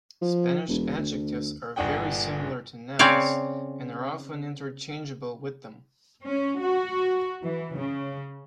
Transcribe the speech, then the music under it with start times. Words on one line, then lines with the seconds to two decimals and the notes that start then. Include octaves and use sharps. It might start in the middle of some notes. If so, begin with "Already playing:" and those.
Spanish adjectives are very similar to nouns and are often interchangeable with them.
0.22 F3
0.69 E1
0.97 D2
1.76 G1 A#2 D4 G#4 F#5 G5
2.99 C#3 C4 C#5 D5 F5
6.25 C#4
6.60 F#4
7.44 E3
7.78 C#3